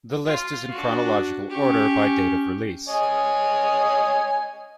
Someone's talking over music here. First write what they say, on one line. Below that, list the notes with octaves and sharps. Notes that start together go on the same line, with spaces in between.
The list is in chronological order by date of release.
F4
D4 F#4
C#4 G4 C#6
C#5 D#5 G#5